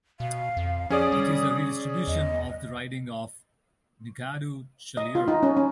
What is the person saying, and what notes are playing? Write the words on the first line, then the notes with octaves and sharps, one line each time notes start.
It is a redistribution of the riding of Nigadoo-Chaleur.
B2 F5
F2
F3 C#4 G#4 D5 D#6
G3
E2 D#5
D#5
F4
D#4
C#4
C#4